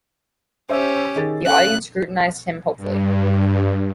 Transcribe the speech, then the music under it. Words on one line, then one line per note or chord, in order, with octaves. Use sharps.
The audience scrutinized him hopefully.
C#4 G4 C5 E5 E6
D#3 G#4 A6
C#4 A4 F5 F#6
G2